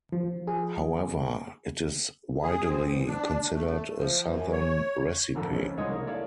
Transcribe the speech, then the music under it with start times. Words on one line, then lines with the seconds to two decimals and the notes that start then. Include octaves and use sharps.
However, it is widely considered a Southern recipe.
0.12 F3
0.47 G#4
2.43 G#4
2.68 C4
2.86 E2
3.07 D4
3.53 A3
3.97 F3
4.26 F#2
4.52 C#5
5.35 G#1 F2 D3 A3 A4 E6
5.53 C#2 C4 C#4
5.77 C2 D#3 G#3 C#5 D#5 D#6
5.90 A#3 E4
6.07 A4 C#5 D5 E5 F5